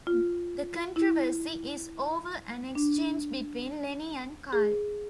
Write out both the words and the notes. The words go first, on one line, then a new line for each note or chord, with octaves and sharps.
The controversy is over an exchange between Lenny and Carl.
F4
E4
D4
G#4